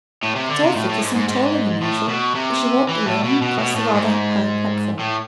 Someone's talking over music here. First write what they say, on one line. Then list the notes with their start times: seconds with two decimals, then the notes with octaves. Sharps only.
Her tall figure seemed taller than usual as she walked alone across the rather high platform.
0.23 A2
0.35 C3
0.49 D3
0.63 C3
0.76 A2
0.89 A2
1.02 G#2
1.15 G#2
1.29 G#2
1.82 A2
2.09 B2
2.35 C3
2.89 E3
3.06 A2
3.24 B2
3.42 B2
3.59 B2
3.76 A2
3.94 G#2
5.00 A2